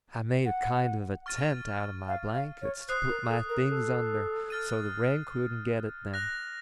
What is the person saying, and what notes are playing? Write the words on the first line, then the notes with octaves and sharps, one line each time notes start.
I made a kind of a tent out of my blankets to put my things under so the rain couldn't get at them.
F#5
C#6 F6 A6 D#7
F5
F5
C#5
C5 D#6 F#6 C7
A#4
A4
A#4
A4
F6 A6 D#7
F#6 A#6 F7